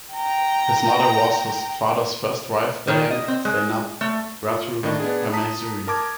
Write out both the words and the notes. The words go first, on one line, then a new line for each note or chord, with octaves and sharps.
His mother was his father's first wife Dayang Zainab, Ratu Permaisuri.
G5 A#5
D#3
D#5
C4
G#3
A3
F4
A2 D#3 D4 D#5
B3 D4 G#4
A5 A#5 D#6 B6
A#4 A5 D6 G#6